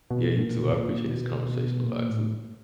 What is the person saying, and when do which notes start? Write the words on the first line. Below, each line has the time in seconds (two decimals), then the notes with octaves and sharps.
Yeah, you too. I appreciate this conversation a lot, too.
0.10 B2
0.36 A#2
0.64 B2
0.73 A#2
1.09 B2
1.84 A#2
2.08 A2